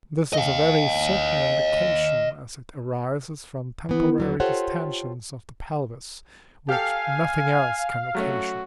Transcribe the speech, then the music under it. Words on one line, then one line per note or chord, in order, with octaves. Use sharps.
This is a very certain indication, as it arises from temporary distensions of the pelvis, which nothing else can occasion.
D#5 F5
E3 B3
D#2 F#3 B3
F4 G4 A4 C5 C#5 F#5
G4 A4 F5 G#5
F#3 A3 C#4 F#4